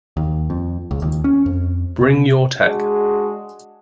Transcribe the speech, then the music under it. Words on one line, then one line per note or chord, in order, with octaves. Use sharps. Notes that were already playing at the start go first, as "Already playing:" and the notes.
Bring your tech.
D#2
F2
C#2
D#2
C#4
F2
C3
G#3 D4 F#4 G#4